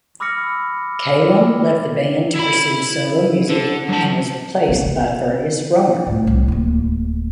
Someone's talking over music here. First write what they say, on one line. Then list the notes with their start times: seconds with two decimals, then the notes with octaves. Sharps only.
Calum left the band to pursue solo music and was replaced by Fergus Romer.
0.20 B5 D6 E6 F6 A#6 C#7
2.36 E4 B5
3.49 D3
3.89 F#3 A5
4.68 D3 B3
4.81 C#3 B3
6.07 A2 A3
6.27 C2
6.48 D1 A#3